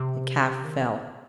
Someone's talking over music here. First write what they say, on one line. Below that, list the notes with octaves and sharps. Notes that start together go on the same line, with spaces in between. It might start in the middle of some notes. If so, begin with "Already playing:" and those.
The calf fell.
Already playing: C3
D#3